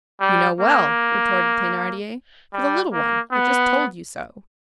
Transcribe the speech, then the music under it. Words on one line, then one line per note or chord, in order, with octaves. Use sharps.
"You know well," retorted Thenardier, "for the little one I just told you so."
G3
A#3
G3
A#3
B3